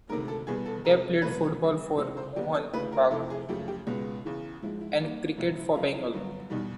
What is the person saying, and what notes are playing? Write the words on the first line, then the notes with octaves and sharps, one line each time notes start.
Deb played football for Mohun Bagan, and cricket for Bengal.
D2 C3 D#3 G#3 A#4
A4
E2 B2 G3 B3 G#4
A4
F2 C3 E3 G#3 A#4
C2 B2 F#3 A3 B4
E2 C#3 E3 G3
C#2 C3 E3 G#3 C5
C5
D#2 C#3 F#3 B3 G4
A4
D2 C#3 E3 A3 B4
A#4
F2 C3 E3 A3 A4
G#4
F#2 C#3 F3 A3 G4
G4
C#2 B2 G#3 B3
E2 C#3 E3
G#2 F3 G#3 E4
E4
D#2 D#3 G3 A#3 D#4
C#2 B2 F#3 E4
E4
F2 C#3 F#3 F4
E4
G2 D3 F#3 B3
E2 B2 G3 D#4